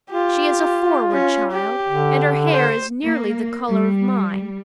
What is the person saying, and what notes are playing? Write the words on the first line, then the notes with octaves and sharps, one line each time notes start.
She is a forward child, and her hair is nearly the color of mine.
F4 G4
C#4
G4
D3
C5
A#3
G3